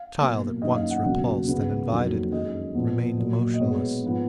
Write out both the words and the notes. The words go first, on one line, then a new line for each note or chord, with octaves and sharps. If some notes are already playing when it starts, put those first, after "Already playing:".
The child, at once repulsed and invited, remained motionless.
Already playing: F5
B2 F#3 A#3
F#2 D#3 A#3 D#5
F5
F#5
C#2 B2 F#3 A#3 F#5
C#2 C#3 G#3 B3
F2 D#3 F#3 A#3
F#2 D#3 G#3 D#5
A#2 F3 B3
A#2 F#3 A#3
D#5
B2 G#3 B3 C#5
G#2 F3 B3